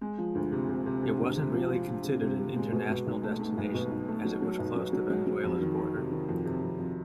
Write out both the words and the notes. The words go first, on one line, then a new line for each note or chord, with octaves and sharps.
It wasn't really considered an international destination as it was close to Venezuela's border.
G#3
F3
D2
C3
C3
C3
C3
D2
C3
F3
F3
F3
C3
C3
C3
G#3
B2
B2
B1
A3
A3
B1
B2
B1
A3
F#3
F#3
B1
F#3
F#3
F#3
F#3
F2
D#3
D#3
C3
D#3
F2
C3
F2
F2